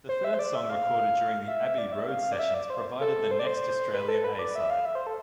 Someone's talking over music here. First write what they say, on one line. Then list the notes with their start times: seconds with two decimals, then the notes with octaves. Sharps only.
The third song recorded during the Abbey Road sessions provided the next Australian A-side.
0.09 C5
0.24 E5
0.34 C5
0.39 D5
0.55 E5
0.69 F5
1.48 E5
1.78 D5
1.93 E5
2.08 F5
2.32 D5
2.39 E5
2.54 D5
2.70 C5
3.01 A4
3.31 C5
3.39 D5
3.47 C5
3.94 B4
4.08 A4
4.24 B4
4.39 D5
4.55 E5
4.70 F5
4.85 E5
4.95 C5
5.07 A4